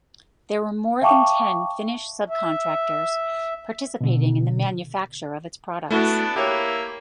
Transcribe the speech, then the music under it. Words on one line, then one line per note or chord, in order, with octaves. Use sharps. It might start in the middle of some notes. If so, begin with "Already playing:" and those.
There were more than ten Finnish subcontractors participating in the manufacture of its products.
E5 F5 G5 A5 C#6 D6
E5
B2 D3
A3 B3 D4 E4 F#4
A#3 E4 G4 C#5